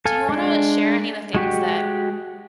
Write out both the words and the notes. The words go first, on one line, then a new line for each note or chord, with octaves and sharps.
Do you wanna share any of the things that
A4 F5 G#5
G#3 D4
G#3 F#4 G4